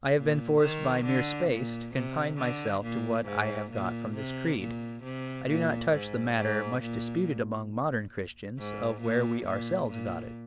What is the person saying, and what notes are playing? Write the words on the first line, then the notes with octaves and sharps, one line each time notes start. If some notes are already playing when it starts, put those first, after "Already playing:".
I have been forced by mere space to confine myself to what I have got from this creed; I do not touch the matter much disputed among modern Christians, of where we ourselves got it.
A#2
D#3
D3
A#2
C3
D3
A#2
G#2
A#2
C3
A#2
C3
A#2
G#2
G#2
A#2
G#2
A#2
A#2
A#2